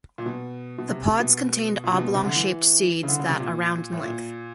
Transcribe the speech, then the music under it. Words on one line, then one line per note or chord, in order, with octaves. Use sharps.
The pods contain oblong shaped seeds that around in length.
A#2
B2
B2
C3
B2
A#2
C3
B2
C3
D3
E3
C#3
D3
C#3
C3
A#2
A2
A#2